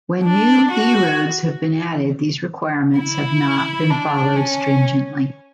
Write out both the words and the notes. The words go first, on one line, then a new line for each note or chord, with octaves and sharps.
When new E-roads have been added these requirements have not been followed stringently.
D4
F#4
E4
D4
C#4